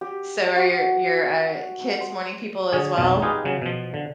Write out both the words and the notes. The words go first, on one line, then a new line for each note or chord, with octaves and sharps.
So are your your, uh, kids morning people as well?
G4
F#4
C5
D3 G#4 C#5
B1 F2 B2
D#4 F4 G4 G#4 B4 D#5
C#3 F#3
B2 F3
D3